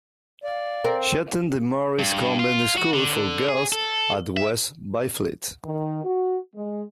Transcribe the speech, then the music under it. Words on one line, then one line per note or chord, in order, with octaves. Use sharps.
She attended the Marist Convent School for Girls at West Byfleet.
D5 F5
C4 A#4
G2
F4
F#4
D3
G#4
A4
E5
D#3
F#4
G#3